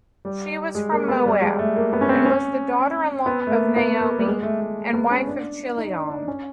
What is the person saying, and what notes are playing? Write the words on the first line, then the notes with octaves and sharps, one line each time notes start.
She was from Moab and was the daughter-in-law of Naomi and wife of Chilion.
G3
G#3
A#3
B3
G3
G#3
A3
A#3
B3
C#4
C4
C#4
B3
A3
A#3
B3
A#3
G3
G#3
A3
A3
B3
C#4
D4
D#4
D4
D4
C#4